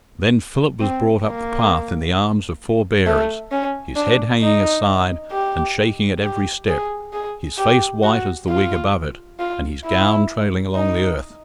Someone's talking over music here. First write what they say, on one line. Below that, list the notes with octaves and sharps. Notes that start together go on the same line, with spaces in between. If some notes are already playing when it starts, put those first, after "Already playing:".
And then Philip was brought up the path in the arms of four bearers, his head hanging aside and shaking at every step, his face white as the wig above it, and his gown trailing along the earth.
C4
A#3
A3
C#4
D4
D#4
G4
G4
G#4
G#4
G4
F#4
F4
F4
E4
D#4